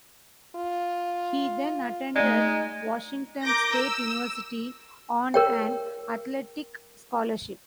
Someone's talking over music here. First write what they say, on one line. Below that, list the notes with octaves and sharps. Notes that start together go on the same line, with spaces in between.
He then attended Washington State University on an athletic scholarship.
F4
G#3 A3 D#4 D5
A#4 D6 G6 A#6
E6
A#4 C#5 G5